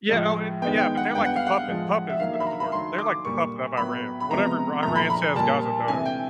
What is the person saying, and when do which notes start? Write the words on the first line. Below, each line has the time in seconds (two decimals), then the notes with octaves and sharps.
Yeah. Oh, it Yeah, but they're like the puppet puppets, is the word. But they're like the puppet of Iran. Whatever Ira Iran says, Gaza does.
0.09 A2 F3 G#3
0.62 D#3 G#3 B3 G5
0.79 G5
0.97 F#5
1.15 D3 G3 B3 G5
1.25 F#5
1.36 F5
1.47 F#5
1.67 A2 F3 G#3
2.10 E5
2.20 D#3 F#3 A#3 F5
2.33 E5
2.40 B5
2.47 A#5
2.60 B5
2.72 D#3 F#3 A3 C6
2.98 D6
3.25 A#2 G3 A#3 C#6
3.77 A2 F#3 B3 B5
4.20 B5
4.30 C3 F3 G#3 B3 A#5
4.82 A#2 F3 A3 A#5
4.96 B5
5.10 B5
5.35 A#2 G3 A#3 A5
5.88 C3 E3 A3 G#5
6.06 G5